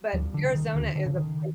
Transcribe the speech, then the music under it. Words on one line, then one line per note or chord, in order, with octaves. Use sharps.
but Arizona is a pla
D2 F3 G3
D3
C#3
D#3
D2 D3
D3
C#3
D#3